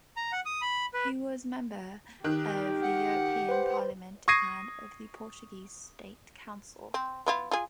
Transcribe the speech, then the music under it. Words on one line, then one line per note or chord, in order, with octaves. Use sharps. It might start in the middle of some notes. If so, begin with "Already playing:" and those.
He was member of the European Parliament and of the Portuguese State Council.
A#5
F#5
D#6
B5
B4
D#3 G4 F#6
F#5
B4 C5
C#6 D#6 G#6 A#6 C7 D#7
C4
B3 E4 F4
F4 G#4